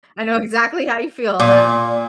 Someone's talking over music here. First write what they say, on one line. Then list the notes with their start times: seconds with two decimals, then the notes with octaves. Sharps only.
I know exactly how you feel on that.
1.39 A#2